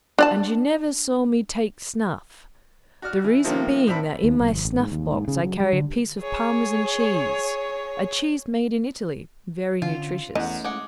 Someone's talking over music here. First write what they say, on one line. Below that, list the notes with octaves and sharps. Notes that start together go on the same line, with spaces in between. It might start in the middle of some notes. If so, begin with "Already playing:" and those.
And you never saw me take snuff, the reason being that in my snuff-box I carry a piece of Parmesan cheese--a cheese made in Italy, very nutritious.
D4 D5 A5
F#4 D5 F6
E3
C3 D#3 F3 A3 A#3 C4
A2 C4 D4 E5 B5
D#2
B1
G#1
A1
G#2
D#2
G#2
C#3
F#3
G3
D3
G#4 C#5
D3 C#4 F4
E2 A3 C#4 E4 D#5 F#5
G#3 F#5 D6